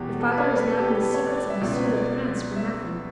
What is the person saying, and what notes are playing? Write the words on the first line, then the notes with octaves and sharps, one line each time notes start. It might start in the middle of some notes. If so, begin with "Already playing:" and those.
"Your father is not in the secrets of monsieur le prince for nothing."
Already playing: E2 B2 G4
A4
B4
C#5
D5
B4
A4
G4
A4
B4
C#5
D5
D5
E5
C#2 B2 D5
B4
C#5
D5
E5